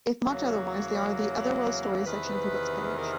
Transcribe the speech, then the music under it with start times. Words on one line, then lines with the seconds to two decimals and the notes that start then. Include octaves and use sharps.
If marked otherwise, they are in the "Otherworld Stories" section of her "Books" page.
0.24 E2 C#3 F#3 A#3 C#5
2.06 E2 C3 D#3 B4
2.97 A#4